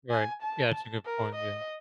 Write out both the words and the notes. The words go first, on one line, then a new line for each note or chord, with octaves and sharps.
Right. Yeah, that's a good point, yeah.
G#5
A5
A#4
D#5